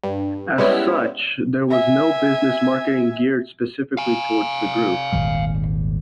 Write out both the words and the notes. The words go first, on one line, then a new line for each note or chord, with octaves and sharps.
As such, there was no business marketing geared specifically towards the group.
G2
G3 G#3 B3 C#4 E4
E5 G#5
F5 G#5
D#1 G#1 G3